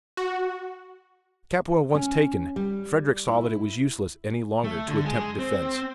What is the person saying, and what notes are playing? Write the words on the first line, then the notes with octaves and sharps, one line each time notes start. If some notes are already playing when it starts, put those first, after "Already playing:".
Capua once taken, Frederic saw that it was useless any longer to attempt defence.
F#4
C#4
G3
E4
A3
D3
G#3
C4